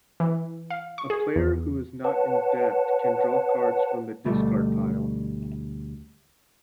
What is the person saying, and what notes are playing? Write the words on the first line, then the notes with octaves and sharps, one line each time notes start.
A player who is not In Debt can draw cards from the discard pile.
E3
F5
C#6
G#4
E2
B4 C#5 F#5 A5
D2 B2 G3 A3